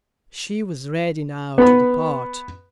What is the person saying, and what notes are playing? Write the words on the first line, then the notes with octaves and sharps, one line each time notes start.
She was ready now to depart.
B3 B5